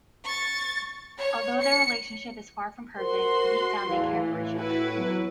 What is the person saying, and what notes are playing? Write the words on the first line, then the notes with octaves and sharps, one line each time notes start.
Although their relationship is far from perfect, deep down they care for each other.
C#6 A6
C#5
C#7
F#4 A#4 C5 C6
E2 A2 E3 F5
A2
E4 F#4 B4
E3 F#3 B3